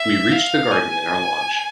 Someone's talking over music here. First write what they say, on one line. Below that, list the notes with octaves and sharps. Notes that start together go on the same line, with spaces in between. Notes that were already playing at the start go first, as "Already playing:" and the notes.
We reach the garden in our launch.
Already playing: E5
F5
G#5